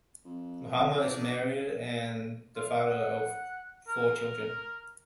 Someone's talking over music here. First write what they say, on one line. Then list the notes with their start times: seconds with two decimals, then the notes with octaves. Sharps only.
Mahama is married and the father of four children.
0.25 F2
0.98 D4 D#4 D5
2.56 F4
2.79 F#5
3.88 A#4